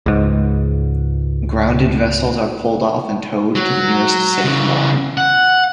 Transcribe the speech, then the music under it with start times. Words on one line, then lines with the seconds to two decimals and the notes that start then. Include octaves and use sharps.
Grounded vessels are pulled off and towed to the nearest safe mooring.
0.06 C#2 G#2
3.55 F#3
4.44 C#3 E3
5.18 F#5